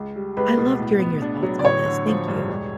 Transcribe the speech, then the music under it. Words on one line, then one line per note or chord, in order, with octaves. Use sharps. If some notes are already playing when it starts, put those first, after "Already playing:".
I loved hearing your thoughts on this. Thank you.
Already playing: C#2
G3
C#2 B4
B2
A2
B3
D4
F#3
D5
A1 C#5
D3
F3
G2
E1